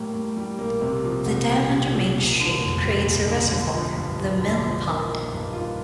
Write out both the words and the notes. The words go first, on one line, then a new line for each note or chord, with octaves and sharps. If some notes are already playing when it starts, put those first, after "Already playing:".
The dam, under Main Street, creates a reservoir, the Mill Pond.
Already playing: A2 G3 A#3
A2
G3
A#3
C3
F3
C2
C4
C3
F3
D#2
D3
F1
G3
D#2
D3
D3
F3
G2
G2
D3
F3
D#3
A#3
G2
F4